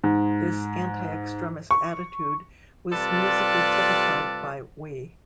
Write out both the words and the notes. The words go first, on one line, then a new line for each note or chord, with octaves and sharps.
This anti-extremist attitude was musically typified by Oi!
G#2
C#6
C3 G3 F4 A4 B4 D5